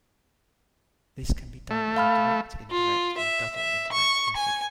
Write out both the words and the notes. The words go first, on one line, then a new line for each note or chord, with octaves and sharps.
This can be done in a direct, indirect, or double indirect method.
A3
F5 B5 F6
F4
E5
E5
C#6
G#5